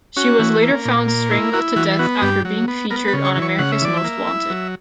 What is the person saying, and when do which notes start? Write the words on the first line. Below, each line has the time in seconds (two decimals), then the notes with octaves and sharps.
She was later found strangled to death after being featured on America's Most Wanted.
0.17 C#4 F#4
0.39 E3
0.62 A#3
0.85 A#2
1.08 A#3
1.31 E4
1.53 E4 F#4
1.76 E3 F#4
1.99 B3 F#4
2.22 G2 G4
2.45 F#3
2.68 B3
2.90 B3 A#4
3.08 B4
3.13 C#3
3.25 C#5
3.36 E3
3.42 C#5
3.59 C#3 F#5
3.72 E5
3.82 E3 D5
3.97 E5
4.04 A#3
4.27 E4
4.50 F#3